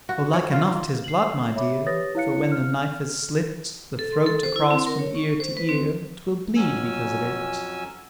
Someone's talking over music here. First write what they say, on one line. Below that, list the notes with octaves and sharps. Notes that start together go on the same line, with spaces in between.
"Oh like enough 'tis blood, my dear, For when the knife has slit The throat across from ear to ear 'Twill bleed because of it."
F#4
C#5
F4
D#4
C7 F#7
C#5 E5 B5 D6
G4 B4 C#5 D#6 A6 A#6
E4 C#5 F5 F#6 C#7
F6
A4
C6
A4
C5
E4
C4
A#4
C#5
C#6
C5
B4
C4
F2 F#3 C#4 G#5 E6